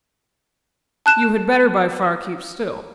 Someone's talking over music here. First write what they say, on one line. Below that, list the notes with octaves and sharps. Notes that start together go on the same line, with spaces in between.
You had better by far keep still.
A5 F#6 E7